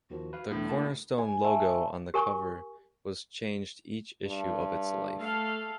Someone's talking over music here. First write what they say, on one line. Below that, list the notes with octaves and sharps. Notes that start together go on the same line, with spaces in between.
The "Cornerstone" logo on the cover was changed each issue of its life.
D#2 D#3 F3 F#4
B4 F5
B1 E2 A2 D4
A#3 D4 F#4 A5
G#5
A3
G4 A#4 G#5 C#6
G2
A3 A4 F5